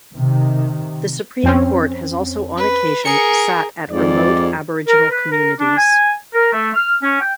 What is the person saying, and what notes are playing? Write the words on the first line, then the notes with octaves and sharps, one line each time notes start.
The Supreme Court has also on occasion sat at remote aboriginal communities.
C3 D#3
F2 C4 C#4
B4
G#4 A#4 C#7
F2 G#2 D5
A#4
B4
A#4
D4
G#5
A#4
A3
F6
C#4
G5